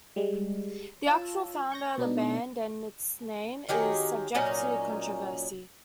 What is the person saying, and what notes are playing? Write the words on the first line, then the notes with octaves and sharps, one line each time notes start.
The actual founder of the band and its name is subject to controversy.
G3 G#3
F4 C#5 A5 E6
C#6 G6 A#6
B2 B3 D4 D#4
D#3 F#3 G4 G#4
A#2 F#3 C#4 D#4